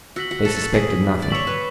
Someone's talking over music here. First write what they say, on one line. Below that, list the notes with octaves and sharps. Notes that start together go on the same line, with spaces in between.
They suspected nothing.
F#4 E6 B6 F#7
F#4
A4
G#4
D5
C#5 C#6 E6 B6 F#7
B4